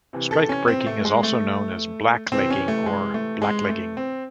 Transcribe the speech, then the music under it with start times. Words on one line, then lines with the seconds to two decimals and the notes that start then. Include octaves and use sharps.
Strikebreaking is also known as "black-legging" or "blacklegging".
0.13 C3 E3
0.31 A4
0.49 C#4
0.68 C4
0.87 A3
1.05 G#3
1.23 A3
2.32 C3 E3 C4
2.50 C#4
2.68 A3
2.86 G#3
3.14 A3
3.42 G#3
3.69 A3
3.97 C4